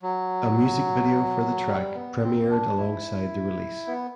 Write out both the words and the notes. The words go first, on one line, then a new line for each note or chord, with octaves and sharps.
A music video for the track premiered alongside the release.
F#3
G3
B3
C4
D4
E4
B3